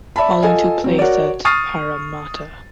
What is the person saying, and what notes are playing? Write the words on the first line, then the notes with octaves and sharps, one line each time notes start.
Polling took place at Parramatta.
D5 E5 A5 B5
F4 A4 D#5 G#5
F#3 C4
F#4 A#4 C#5 D5
C#6 D#6 F6 A6 C7 D#7